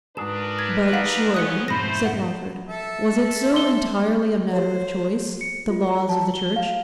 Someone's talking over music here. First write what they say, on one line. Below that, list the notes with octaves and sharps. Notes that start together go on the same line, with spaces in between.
'But, surely,' said Lawford, 'was it so entirely a matter of choice--the laws of the Church?
G#2 D4 F#4 G#4 A#4 B4 E7
G#6
D#4 F5 F#5 B6
D#2 B3 C#4 D#6 F#6 C#7
F2 G#2 B2 A3 C5 B5 A#6
F#5
A4 E5
C6 G7
G4 A4 C5 C#5
C#7
F4
A#5
A5
G7
F5